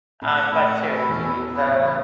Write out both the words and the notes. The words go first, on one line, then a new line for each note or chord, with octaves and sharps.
uh, but seriously, it's, uh,
A2 A3 E4
A4 F#5
A2 A3 E4
A4 F#5
C#4
E4 A4
E2 E3 C#4
E4 A4
F#3
B3 E4 B4
A2 F#3 A3
B3 E4 B4